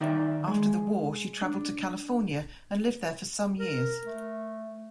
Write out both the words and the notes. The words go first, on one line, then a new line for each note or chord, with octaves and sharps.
After the War, she travelled to California and lived there for some years.
D#3 D#4 D5 E5
G#3
D4
A#4
A3